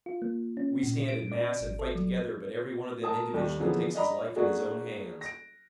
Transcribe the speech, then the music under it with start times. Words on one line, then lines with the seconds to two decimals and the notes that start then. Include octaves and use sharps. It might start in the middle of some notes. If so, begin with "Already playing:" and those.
We stand in mass and fight together, but every one of them individually takes his life in his own hands.
0.06 F4
0.22 A#3
0.57 C#4
0.83 A#2
1.08 D7
1.32 D5
1.61 G#1
1.79 A4
1.95 F#3
3.03 A#4 A5 D#6
3.33 D#2 G3 A3
3.59 D3 E3 F3 A#3 B3 G#4
3.94 D4 D#5 A#5 B5 D6
4.36 A3 A#3 D4 F#4 G#4
5.21 A#6 D7